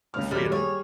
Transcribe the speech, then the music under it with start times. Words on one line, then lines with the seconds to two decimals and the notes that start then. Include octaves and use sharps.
her freedom.
0.14 C#2 C#3 F6
0.31 D#1 F#2 G3 G#3 G4 F6
0.52 G3 G#4 C#5